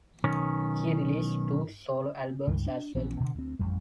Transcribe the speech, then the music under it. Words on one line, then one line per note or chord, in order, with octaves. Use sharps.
Key released two solo albums as well.
B1 D#3 C#4
C#2 G2
D4
A#1 E3 B3 C#4
B2 D3
D2 C4
A1 F2 G3